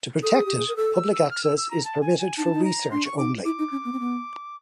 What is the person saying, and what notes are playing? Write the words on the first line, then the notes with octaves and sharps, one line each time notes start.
To protect it, public access is permitted for research only.
A4 D#6
G#4
G4
G#4
A#4
A4 E6
E6
E6
F6
E6
E6
A#5
A5
G#5
G#5
D#4 A5
D4
D#4
A#5
D4 C6
C#6
D#4 D6
E4 D6
D#4
C#4
B3
C4
B3